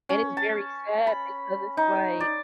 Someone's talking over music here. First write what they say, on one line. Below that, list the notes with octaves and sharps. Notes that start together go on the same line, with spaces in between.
And it's very sad because it's, like
C#4
A5
B5
D#4
D5